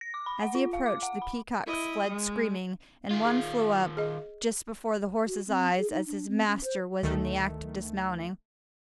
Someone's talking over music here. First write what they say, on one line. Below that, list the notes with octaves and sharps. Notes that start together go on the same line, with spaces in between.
As he approached, the peacocks fled screaming, and one flew up just before the horse's eyes as his master was in the act of dismounting.
A#6
D6
B5
F#5
F4
F5
D6
F#5
B5
E4 D#5
G#3
D#3 F4
G#4
G#4 D#5
F#4
C4
G#4
D#4
D4
C4
C#4
C5
D2 D#3 A3